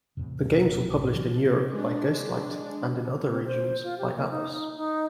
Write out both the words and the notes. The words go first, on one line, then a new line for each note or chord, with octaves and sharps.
The games were published in Europe by Ghostlight and in other regions by Atlus.
E2 A2 C3
E1 D2 B2 A#3
A#1 G#2
A2 E3 F#3
G#3 D4
C4
C5
F4
G4
A#3
D#4
D#4
D#4